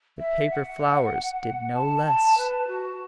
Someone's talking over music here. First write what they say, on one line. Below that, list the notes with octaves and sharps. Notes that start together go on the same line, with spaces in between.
The paper flowers did no less.
E5
F#5
A5
A5
B4
F#4